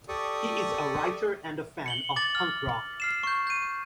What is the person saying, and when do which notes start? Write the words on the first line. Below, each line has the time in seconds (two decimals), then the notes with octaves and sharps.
He is a writer and a fan of punk rock.
0.08 G4 A4 D5 C#6 D#6
1.86 C#7 F#7 G7
2.16 D6 A6 F#7
2.35 F6
3.00 F6 C7 E7
3.23 C#6 G6
3.47 G6 D#7